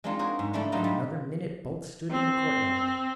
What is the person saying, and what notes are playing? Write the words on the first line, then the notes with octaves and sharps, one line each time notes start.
In another minute both stood in the courtyard.
G#3 C4 D4 D#4 F4
G#4 A#4 C5 C#5 F#5
G#2
D3 A3 D4 E4 A4
D3 F#3 D#4 F4 G4 A#4
G3
C4